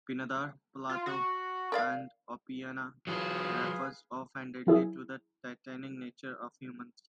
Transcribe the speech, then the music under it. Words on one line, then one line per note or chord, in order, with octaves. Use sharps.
Pindar, Plato, and Oppian refer offhandedly to the "Titanic nature" of humans.
F4
F#4
A#4 D5 F5
F#3 F4 G#4 B4 F5
F#3 E4 G#4